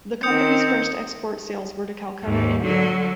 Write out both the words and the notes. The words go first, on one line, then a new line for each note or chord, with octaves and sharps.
The Company's first export sales were to Calcutta, India.
D#3 C4 D#6 G6 C#7
D#2 G#2
D3 F#3